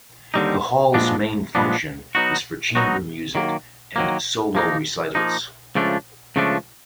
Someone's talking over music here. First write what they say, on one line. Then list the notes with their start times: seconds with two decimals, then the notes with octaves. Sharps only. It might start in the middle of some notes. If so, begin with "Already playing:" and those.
The Hall's main function is for chamber music and solo recitals.
0.34 D#2 D3 G3 C4 D#4
0.94 A#2 F3 G#3 B3 D4
1.55 A#2 F3 G#3 B3 D4
2.15 F#3 B3 D#4 F#4
2.75 F#3 B3 D#4 F#4
3.35 D#3 F#3 A#3
3.96 D#3 F#3 A#3
4.55 F3 A#3 D#4
5.15 F3 A#3 D#4
5.75 C#2 C#3 F3 A3 D4
6.36 C#2 C#3 F3 A3 D4